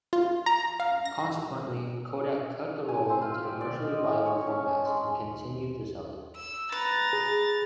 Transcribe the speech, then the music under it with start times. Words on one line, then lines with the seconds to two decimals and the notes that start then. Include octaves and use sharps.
Consequently, Kodak cut the roll into commercially viable formats and continued to sell it.
0.13 F4
0.46 A#5
0.80 F5
1.05 A#6
2.89 G#5
3.09 C4
3.21 F4
3.42 G4
3.61 D5
3.82 D#5
4.04 G#5
4.26 C#5
4.47 C#4
4.68 D4
4.85 G#3
6.36 E6
6.72 B4 A#5 A6
7.13 G#4